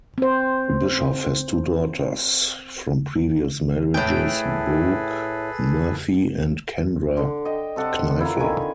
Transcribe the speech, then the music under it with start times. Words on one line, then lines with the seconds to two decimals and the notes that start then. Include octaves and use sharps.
Bischoff has two daughters from previous marriages, Brooke Murphy and Kendra Kneifel.
0.18 C4 C5
3.94 A2 G#4 A4 B4 G5
7.17 D3
7.45 D#5 G5
7.76 C3 A4 F#5 D6
8.20 E4 F4 A#4
8.39 D3 D#3 G#5 B5